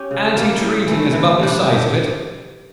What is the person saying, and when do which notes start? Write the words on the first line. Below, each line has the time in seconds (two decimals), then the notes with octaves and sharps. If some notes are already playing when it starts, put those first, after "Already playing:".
Antitreating is about the size of it.
Already playing: C#4 G4
0.11 C#3
0.36 G3 A#3
0.62 A2
0.87 E3 A3
1.13 E3
1.39 G3 D4 G4